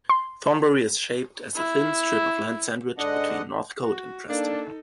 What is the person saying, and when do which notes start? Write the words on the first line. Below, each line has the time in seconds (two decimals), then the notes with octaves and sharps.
Thornbury is shaped as a thin strip of land sandwiched between Northcote and Preston.
0.09 C6
1.56 E4
2.98 G#2 D3 D4 D#5 F#5
3.80 F#4
4.29 A#3 D4 D#4 A4